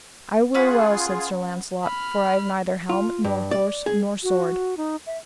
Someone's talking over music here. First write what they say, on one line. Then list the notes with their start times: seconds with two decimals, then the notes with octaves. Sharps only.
I will well, said Sir Launcelot, for I have neither helm, nor horse, nor sword.
0.54 C#4 F4 G#4 B4 F#5
1.85 B5 F6
2.89 F4
3.24 G2
3.51 D5
3.86 G#4
4.23 F#4
4.77 D#4
5.06 E5